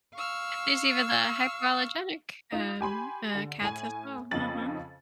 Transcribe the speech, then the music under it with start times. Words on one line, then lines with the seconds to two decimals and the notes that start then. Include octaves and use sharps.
There's even the hypoallergenic, um, uh, cats as well, mhm.
0.15 F5 C#6 E6 F6
2.52 D#4 F4
2.81 G4 G#5 B5 C6
3.35 D3
3.61 A2 G#5
4.31 F2 C#3 D#5 B5 A6 F#7